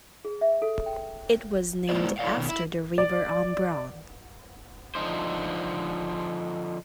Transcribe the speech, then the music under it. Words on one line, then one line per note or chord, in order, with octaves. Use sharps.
It was named after the river Ombrone.
G#4
E5
A4
G5
G#3 A#3 E4 F4 C5 D5
E4 F#4 G#4 C#5 D5 F5
B2 D#3
E4
D5
D3 F3 D#4 C5